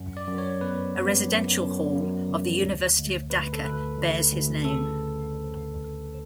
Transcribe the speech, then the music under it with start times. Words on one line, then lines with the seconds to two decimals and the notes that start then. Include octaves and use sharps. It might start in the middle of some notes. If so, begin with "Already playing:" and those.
A residential hall of the University of Dhaka bears his name.
Already playing: F#2
0.17 D5
0.27 F#2
0.38 C#5
0.61 B3 B4
0.95 B3
1.28 F#2
1.62 F#2
1.96 F#2
2.29 C#3
2.63 D2
2.97 D2
3.30 D2 B4
3.53 A4
3.64 D2 B4
3.98 D2
4.32 D2
4.65 C#3 A4